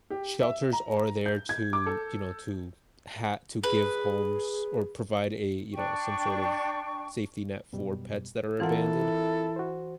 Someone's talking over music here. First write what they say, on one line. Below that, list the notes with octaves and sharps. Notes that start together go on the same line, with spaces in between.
shelters are there to you know, to ha to give homes, or provide a you know, some sort of safety net for pets that are abandoned.
G4
E5
A#5
G6
G#6
D6
A4
G#4 B4
D4 G5 C#6
F#2 B2 G3
E3 C4 E4 F4 A4 A#4 F#5
F#4 C5